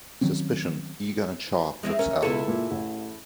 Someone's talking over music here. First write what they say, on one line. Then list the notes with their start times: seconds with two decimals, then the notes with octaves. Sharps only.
Suspicion, eager and sharp, looks out.
0.21 D#3 F#3 C4 C#4
1.83 G#3 C4 E4
1.99 C#4 A#4
2.22 C#2 B2 E4 G#4 A4
2.48 A#2
2.71 A1